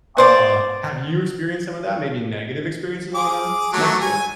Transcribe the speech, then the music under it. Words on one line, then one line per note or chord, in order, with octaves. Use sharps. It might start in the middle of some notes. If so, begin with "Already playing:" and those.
Uh, have you experienced some of that, maybe negative experiences on, uh, Nextdoor?
B3 C5 D5
G#4 D6
F#3 A3
G#5